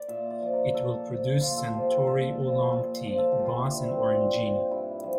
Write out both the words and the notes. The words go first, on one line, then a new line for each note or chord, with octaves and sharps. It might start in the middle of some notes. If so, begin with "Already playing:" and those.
It will produce Suntory Oolong Tea, Boss and Orangina.
Already playing: D5
A#2 E5
D5
F3
A#4
A#2 A4
F3
A#2 F4
A4
F3 G4
A4
A#2 A4
F3
A#2
F3
A4
G4
A#2
F4
E4
F3 D4
C4
A#2 D4
F3
G2 E4
F3